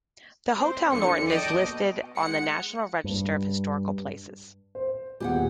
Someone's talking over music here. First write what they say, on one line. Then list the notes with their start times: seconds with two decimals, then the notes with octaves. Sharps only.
The Hotel Norton is listed on the National Register of Historic Places.
0.56 C4 C5
0.89 E2 D3 F3 C#7
1.27 D5 D#5 G5 A5 D6 D#6
1.58 B2
2.16 G#3 F#5 C#7
3.04 G2
4.75 C5
5.20 D#2 A#2 B3 G4 G#4 F#5